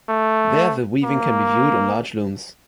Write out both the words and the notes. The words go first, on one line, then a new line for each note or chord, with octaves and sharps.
There the weaving can be viewed on large looms.
A3
A#3